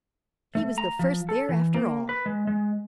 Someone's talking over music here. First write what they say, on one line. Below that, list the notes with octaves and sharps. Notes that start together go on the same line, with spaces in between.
He was the first there after all.
A3
A#5
F3
A4
E3
A#3
B4
G#3
G#3